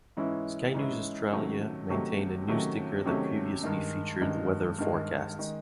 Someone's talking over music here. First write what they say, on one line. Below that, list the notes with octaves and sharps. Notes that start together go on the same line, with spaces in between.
Sky News Australia maintained a news ticker that previously featured weather forecasts.
G#2 E3 G#3 C#4 E4
G#2 E3 G#3 C#4 E4
C3 D#3 F#3 A3 C#4
C3 D#3 F#3 A3 C#4
C3 D#3 F#3 A3 C#4
C3 D#3 F#3 A3 C#4
G2 D#3 G#3
G2 D#3 G#3
G2 D#3 G#3
D#3 G#3